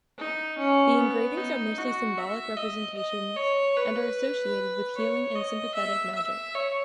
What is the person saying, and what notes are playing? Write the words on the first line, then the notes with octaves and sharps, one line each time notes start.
The engravings are mostly symbolic representations and are associated with healing and sympathetic magic.
D#4
C#4
B3
D#4
F#4
E5
D#5
D#5
C#5
B4
C#5
D#5
E5
E5
C#5